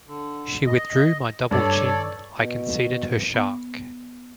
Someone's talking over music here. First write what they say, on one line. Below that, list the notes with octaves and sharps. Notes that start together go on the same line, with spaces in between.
She withdrew my double chin; I conceded her shark.
D3
D#5
G2 A4 C#5 D5
B2
B3